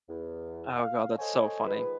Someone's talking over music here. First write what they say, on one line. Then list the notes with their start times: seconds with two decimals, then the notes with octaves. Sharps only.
Oh god. That's so funny,
0.07 E2
0.80 F5
1.18 A4 C5 C#5 D#5 G#5
1.64 D#3 F3 G#3 B4